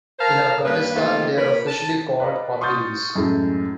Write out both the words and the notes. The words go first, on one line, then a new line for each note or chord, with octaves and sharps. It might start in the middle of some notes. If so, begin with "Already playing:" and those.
In Afghanistan, they are officially called "Pamiris".
A#4 C5 F5 A5 A#5
G2 A#3 B4
C3 D#3 A3 A#3 F4
A#2 A#4 B4 C#5 B5
A5
B4 D5 D#5 F5 A#5 B5
C6 C#6 D#6 F6 G6 A6
F#2 A2 G#3 A3